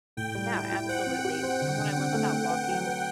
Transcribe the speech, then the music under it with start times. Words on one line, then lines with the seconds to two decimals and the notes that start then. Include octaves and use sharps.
Yeah, absolutely. And what I love about walking
0.17 A2 G5
0.35 G3
0.53 E4
0.72 E4
0.89 C5 F#5
1.07 C4
1.25 G4
1.43 C5
1.61 D3
1.78 D3
1.96 C4
2.14 A3
2.33 A3
2.50 B4
2.68 F#3
2.86 B4